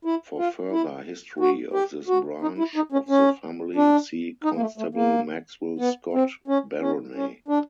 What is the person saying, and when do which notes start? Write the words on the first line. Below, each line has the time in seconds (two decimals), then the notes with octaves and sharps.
For further history of this branch of the family, see Constable Maxwell-Scott baronets.
0.05 E4
0.38 F4
0.72 E4
1.40 F#4
1.73 G4
2.08 F#4
2.42 D#4
2.58 E4
2.76 D#4
2.92 C#4
3.09 C#4
3.76 D4
4.44 D#4
4.56 A#3
4.61 A3
4.78 A3
4.95 A#3
5.79 B3
6.13 C4
6.48 C#4
6.81 C#4
7.15 C#4
7.48 D4